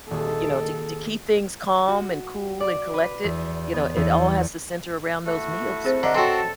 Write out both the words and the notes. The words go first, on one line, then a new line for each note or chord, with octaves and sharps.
you know, to k to keep things calm and cool and collected, you know, it all has to center around those meals.
D#1 G#4 A4
D7
F#4
D5
B4
E2
B3
E2
A3 E4 F#4
C4 G#4 C5
D3 A#3 D#4 F#4 D#5 E5 A#5
C4 F#4 A4 C#5 G5 C6